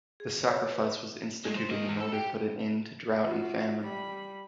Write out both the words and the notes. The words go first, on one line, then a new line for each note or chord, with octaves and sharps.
The sacrifice was instituted in order to put an end to drought and famine.
G#4
C#5
B4
G#3 A3
C5
A#3 D#5
E2
A4
G4
F4 F#4
G3 B5